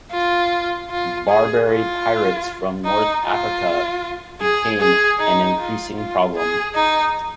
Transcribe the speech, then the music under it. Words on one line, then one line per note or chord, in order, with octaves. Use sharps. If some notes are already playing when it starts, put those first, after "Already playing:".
Barbary pirates from North Africa became an increasing problem.
F4
F4
G#4
F4
D#4
F4
G#4
G#4
D#4
F4
F4
G#4
D#4